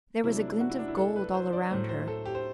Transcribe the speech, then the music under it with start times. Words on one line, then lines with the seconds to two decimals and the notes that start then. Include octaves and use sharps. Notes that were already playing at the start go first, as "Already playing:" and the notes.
There was a glint of gold all around her.
0.24 C3 F#3 A3 E4
0.35 D4
0.48 E4
0.60 F#4
0.70 E4
0.79 D4
0.88 E4
0.97 A4
1.16 B4
1.34 C5
1.53 D5
1.71 A2 F#3 A3 C5
1.89 C5
2.08 A4
2.26 G4
2.35 C5